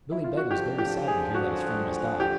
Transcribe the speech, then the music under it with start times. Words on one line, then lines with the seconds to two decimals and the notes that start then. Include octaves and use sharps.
Billy Beg was very sad to hear that his friend must die.
0.11 E4
0.24 F4
0.37 F#4
0.50 F2 D3 F3 G4
0.78 G4
1.07 G#4
1.34 F#4
2.20 G4